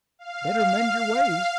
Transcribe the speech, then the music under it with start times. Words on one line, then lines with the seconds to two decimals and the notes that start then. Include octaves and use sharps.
Better mend your ways.
0.19 F5